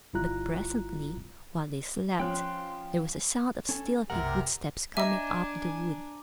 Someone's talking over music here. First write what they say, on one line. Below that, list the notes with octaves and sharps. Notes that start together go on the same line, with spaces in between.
But presently while they slept there was a sound of stealthy footsteps coming up the wood.
G1 G3 E4 F4 A#5 F#6
F3 C#4 G5 C6 F#6
C#4 A4 G#5
F#1 C2 C3 A#4 F#5
D4 D#5 E5 G#5 A#5 D6 D#7